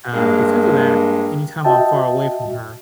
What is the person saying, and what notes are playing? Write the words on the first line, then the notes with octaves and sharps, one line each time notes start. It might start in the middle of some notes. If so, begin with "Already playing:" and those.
uh, because of that, any time I'm far away from her,
G2 G#3 A#3
F#4 D#5 E5 G5 A5